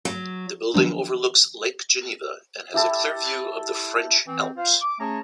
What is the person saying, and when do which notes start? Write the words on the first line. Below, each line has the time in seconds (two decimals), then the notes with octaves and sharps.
The building overlooks Lake Geneva and has a clear view of the French Alps.
0.05 F#3
0.74 D#3 F3 F#3 B3 D4
2.74 E4 G4 A4
4.26 E3 C4
4.57 F4 C5 F5
4.82 D6
4.99 A3 C#4 G#4 C#5 A5 A#5